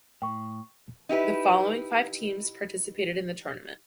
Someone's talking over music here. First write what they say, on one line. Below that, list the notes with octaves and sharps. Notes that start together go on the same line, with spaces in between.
The following five teams participated in the tournament.
A2 G5 C#6
D#4 E4 G4 B4